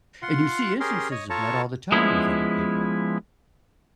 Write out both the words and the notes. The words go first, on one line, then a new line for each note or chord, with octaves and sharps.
And you see instances of that all the time with other people.
F4 F#5 C6
C#4 G4 G#4 A#4 C6
C#5 D#5
F4 A4 C#5 A5 A#5 C#6
F3 G#3 B3 C#4 E4